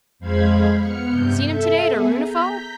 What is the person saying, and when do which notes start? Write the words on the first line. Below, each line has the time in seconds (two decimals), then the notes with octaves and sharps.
Seen him today at a runefal?
0.19 F2 G#3 C5 F5 B5 G#6
0.79 B3 F6 C#7
1.09 G2 C3 G6
1.43 A4 E5
1.85 B3 G#4
2.19 A#5 G6 B6